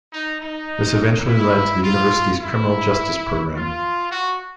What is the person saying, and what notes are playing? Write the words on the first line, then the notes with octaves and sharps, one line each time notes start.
This eventually led to the university's criminal justice program.
D#4
D#4
E4
F4
E4
F4
F#4